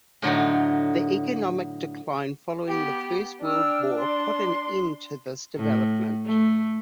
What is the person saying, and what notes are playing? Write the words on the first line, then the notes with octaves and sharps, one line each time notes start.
The economic decline following the First World War put an end to this development.
A2 D3 F#3 D#4
B3 G4
D4 G5 E6 F6
C6
A2
A3